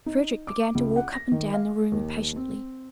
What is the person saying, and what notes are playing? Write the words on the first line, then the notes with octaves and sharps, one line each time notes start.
Frederick began to walk up and down the room impatiently.
D#4
D6
C#2
F#5
A#6
D#3
F5
D#2
C4